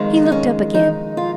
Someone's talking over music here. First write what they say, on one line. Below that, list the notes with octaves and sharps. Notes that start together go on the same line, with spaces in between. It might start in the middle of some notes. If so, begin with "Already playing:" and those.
He looked up again.
Already playing: F2 D#3 G#3
D#4
C#4
D#4
F4